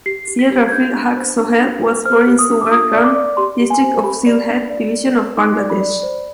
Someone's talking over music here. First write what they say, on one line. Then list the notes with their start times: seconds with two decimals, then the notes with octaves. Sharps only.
Syed Rafiqul Haque Sohel was born in Sunamganj District of Sylhet Division of Bangladesh.
0.06 G4 C7
0.28 G4
0.39 B6
0.51 G4
0.68 G#6
0.72 D4 G6
0.94 D4
1.17 C5
1.39 D4
1.60 D4
1.83 B4
2.06 C5 F6
2.27 G4
2.39 D#6
2.50 D4
2.61 D6
2.71 F4 D#6
2.93 D5
3.04 D6
3.15 D5
3.37 G4 C6
3.60 G4
3.70 G#5
3.81 C5
4.04 G4 B5
4.26 D5
4.49 D4
4.70 D5
4.92 D5
5.15 B4
5.37 D#4 D6
5.58 D5
5.70 B5
5.81 D5
6.03 C5